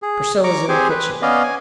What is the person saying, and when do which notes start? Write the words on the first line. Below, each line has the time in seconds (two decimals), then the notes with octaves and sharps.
"Priscilla's in the kitchen."
0.02 G#4
0.44 A#5 C#6 D6
0.69 C4 G4 G#4 C5 G#5
0.90 B4
1.22 B3 C#4 D5 D#5 F5
1.43 G#5